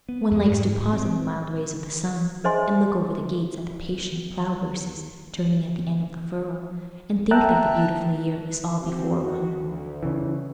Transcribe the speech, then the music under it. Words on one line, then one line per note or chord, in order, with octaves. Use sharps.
One likes to pause in the mild rays of the sun, and look over the gates at the patient plough-horses turning at the end of the furrow, and think that the beautiful year is all before one.
B3
F2
G#2
A2
C4
G#4 C5 D#5 E5 G#5 C6
E5 G5 A5 A#5 F#6
C4 F#4
D#3 F#4
D2
C#3 E3